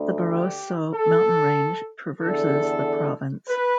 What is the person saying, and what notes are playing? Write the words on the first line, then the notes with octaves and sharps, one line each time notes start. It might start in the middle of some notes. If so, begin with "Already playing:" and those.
The Barroso mountain range traverses the province.
Already playing: D2 D3
G4
A4
E2 D3 A4
B4